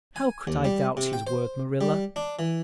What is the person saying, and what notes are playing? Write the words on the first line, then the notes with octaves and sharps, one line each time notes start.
How could I doubt his word, Marilla?
G#5
D#2
G3
C3
G5
C5
G3
D4
E3